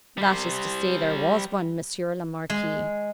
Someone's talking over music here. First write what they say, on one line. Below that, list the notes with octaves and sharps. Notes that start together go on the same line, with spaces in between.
"That is to say there was one, Monsieur le Marquis."
G3 C5
G#3